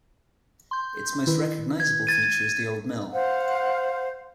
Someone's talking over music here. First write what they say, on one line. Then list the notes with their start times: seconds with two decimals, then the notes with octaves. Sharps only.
Its most recognisable feature is the old mill.
0.71 C6 G6
1.27 D#3 E4 B4
1.80 G#6
2.07 G#6 A6 D#7
3.12 C5 F5 F#5